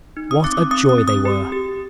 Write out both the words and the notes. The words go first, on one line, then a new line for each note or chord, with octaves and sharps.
What a joy they were!
D#4
D#6
C4 D6
D#6
C4 D#6
D#6
C4
D#6
G4
G4